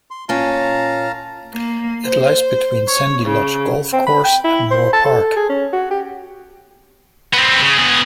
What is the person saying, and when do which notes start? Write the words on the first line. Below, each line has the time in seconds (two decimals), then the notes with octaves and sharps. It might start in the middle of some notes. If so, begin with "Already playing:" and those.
It lies between Sandy Lodge Golf Course and Moor Park.
0.10 C6
0.29 A#2 C#4 F5 A5 A#5
1.54 A#3
2.05 C5
2.89 C#5
3.25 C#3
3.93 C4
4.06 B5
4.24 G5
4.44 E4
4.71 C5
4.93 A5
5.05 A4
5.36 G#4
5.50 C#4
5.73 F#4
5.91 G4
7.33 B3 C4
7.61 C#3
7.79 B2 G#4